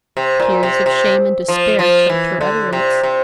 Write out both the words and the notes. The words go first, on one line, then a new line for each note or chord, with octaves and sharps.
Tears of shame and despair choked her utterance.
C3
A#2
C3
C3
F3
F3
E3
D3
C3
C3